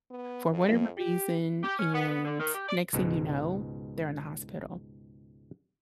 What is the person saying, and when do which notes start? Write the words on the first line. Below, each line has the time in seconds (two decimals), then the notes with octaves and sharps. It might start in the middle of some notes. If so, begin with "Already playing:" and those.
for whatever reason, and next thing you know, they're in the hospital.
0.10 B3
0.52 F2
0.97 G4
1.63 G4
1.79 C#4
1.94 B3
2.09 B3
2.24 D3
2.39 D#3
2.54 G4
2.68 D5
2.93 C#2 G#2 B2